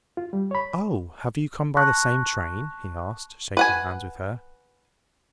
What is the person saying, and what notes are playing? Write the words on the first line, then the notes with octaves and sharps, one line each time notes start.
'Oh! have you come by the same train?' he asked, shaking hands with her.
F4
G3
C#5 B5
A5 C6 C#6 F#6 A#6
B4 F#5 G#5